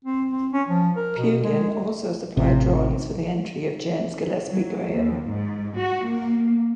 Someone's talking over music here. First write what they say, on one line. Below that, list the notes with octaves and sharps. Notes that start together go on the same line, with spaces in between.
Pugin also supplied drawings for the entry of James Gillespie Graham.
C4
C4
C#4
F3
A#4
B2
G#3
A1 C3
F#3
D#2
G#2
F#4
A#3